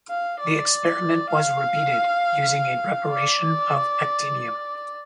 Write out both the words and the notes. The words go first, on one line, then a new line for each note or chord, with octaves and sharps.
The experiment was repeated, using a preparation of actinium.
F5
D5
F5
D5